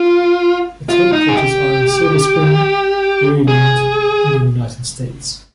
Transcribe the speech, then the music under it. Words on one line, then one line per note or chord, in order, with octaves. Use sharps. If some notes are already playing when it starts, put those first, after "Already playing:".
Its headquarters are in Silver Spring, Maryland in the United States.
Already playing: F4
F4
D#4
G#4
G4
G#4